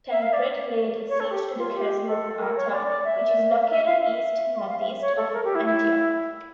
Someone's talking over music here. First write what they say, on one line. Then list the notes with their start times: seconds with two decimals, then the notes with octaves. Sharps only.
Tancred laid siege to the castle of Artah, which is located east-northeast of Antioch.
0.11 E5
0.22 F5
0.33 D5
1.09 C#5
1.20 A4
1.31 G4
1.58 F4
1.74 G4
2.06 A4
2.39 A#4
2.56 C#5
2.72 D5
2.88 D5
3.04 E5
3.70 E5
3.86 F5
4.02 E5
4.68 F5
4.80 E5
5.01 C#5
5.17 A4
5.33 A#4
5.44 G4
5.55 E4
5.65 E4